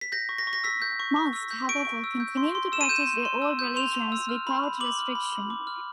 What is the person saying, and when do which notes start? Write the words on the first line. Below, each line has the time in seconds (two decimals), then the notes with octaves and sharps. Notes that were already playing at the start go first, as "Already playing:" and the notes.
Most, however, continued to practice their old religions without restriction.
0.01 B6
0.12 G6 A#6
0.29 C#6
0.38 A#6
0.47 C#6
0.53 A#6
0.64 E6 B6
0.82 G6
1.00 C#6
1.16 C#6
1.33 E6
1.51 G6
1.69 C#6 D7
1.85 C#6
2.04 E6
2.20 G6
2.37 C6
2.55 C6
2.72 E6 E7
2.81 D#7
2.89 G6 E7
3.07 C6
3.25 C6
3.42 E6
3.59 G6
3.76 C6 F7
3.95 C6
4.12 E6
4.29 F6
4.47 B5
4.64 B5
4.80 D6 F#7
4.99 F6
5.15 B5
5.32 B5
5.50 D6
5.67 F6